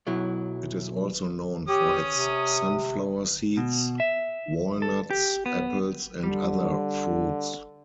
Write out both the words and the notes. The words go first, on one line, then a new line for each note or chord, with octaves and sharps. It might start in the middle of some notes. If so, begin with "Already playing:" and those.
It is also known for its sunflower seeds, walnuts, apples, and other fruits.
B1 F#3 E4
C#4 G4 D#6
C3
B2
E5
A4
G4
B3
D3 G3